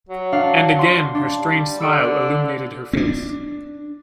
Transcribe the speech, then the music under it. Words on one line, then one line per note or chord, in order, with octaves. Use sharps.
And again her strange smile illuminated her face.
F#3
D4 F5 F#5
C6
D4
G3
D3 E6 C#7 D7
C4 D4